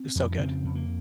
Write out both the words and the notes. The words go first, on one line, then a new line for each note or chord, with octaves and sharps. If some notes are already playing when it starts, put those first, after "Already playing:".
It was so good.
Already playing: C4
F2
C#3 C4
F2
A#3